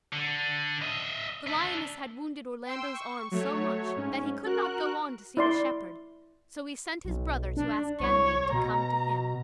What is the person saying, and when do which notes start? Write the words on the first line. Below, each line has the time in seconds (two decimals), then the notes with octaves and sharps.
The lioness had wounded Orlando's arm so much, that he could not go on to see the shepherd, so he sent his brother to ask Ganymede to come to him.
0.12 D3
0.82 D#5 E5
1.47 D4 E5
2.65 G5 C6 E6
2.94 C#6
3.31 F#3 A3 C#5
3.96 G#2 C#4
4.45 F#4 A#4 F#6
5.37 E4 D5 C6
7.05 B1
7.57 D4
8.00 C2 C#5
8.53 B2 A#5